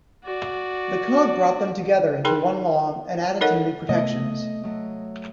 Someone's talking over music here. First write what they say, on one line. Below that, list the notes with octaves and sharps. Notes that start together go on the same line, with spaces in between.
The Code brought them together into one law and added some new protections.
F#4 D5
D#4 G#4 A#4 G5 C6
D#4 A4 A#4 C#5 D#5 F#5
C3 A3 B3 D#5
F#3 A3